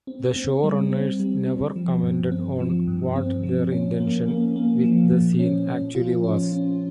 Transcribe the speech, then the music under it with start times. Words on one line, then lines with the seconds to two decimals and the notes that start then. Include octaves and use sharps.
The showrunners never commented on what their intention with the scene actually was.
0.07 C4
0.36 C4
0.63 G3
0.92 C4
1.20 G3
1.48 C4
1.76 F3
2.03 G2
2.32 C4
2.60 F3
2.87 G2
3.16 C4
3.43 F3
3.72 C#4
4.00 A#3
4.28 A#3
4.56 A#3
4.84 F3
5.12 A#2
5.39 C#4
5.67 C#4
5.95 F4
6.24 C#4
6.52 C#4